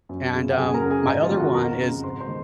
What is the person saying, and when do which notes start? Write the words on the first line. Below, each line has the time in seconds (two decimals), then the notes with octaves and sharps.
and, um, my other one is
0.09 F#2
0.33 C#3
0.50 F#5
0.58 F#2 G#4 G#5
0.74 A#4 A#5
0.82 C#3
0.90 G#4 G#5
1.06 G#2 D#5
1.23 F4 F5
1.31 D#3
1.39 F#4 F#5
1.54 F2 A#4 A#5
1.79 C#3
2.04 G#2 C5 C6
2.20 C5 C6
2.29 D#3